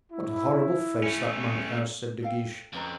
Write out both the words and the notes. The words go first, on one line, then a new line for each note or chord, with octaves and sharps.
"What a horrible face that monk has," said De Guiche.
E4
A3 C#4
A4 F5 G5
F2 C#4 B4 A#5